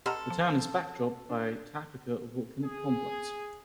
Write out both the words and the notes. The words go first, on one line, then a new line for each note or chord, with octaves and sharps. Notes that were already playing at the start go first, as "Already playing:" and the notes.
The town is backdropped by Taapaca volcanic complex.
G4 A4 D#5 F#5 A#5 C6 F6
F3
D4
G#4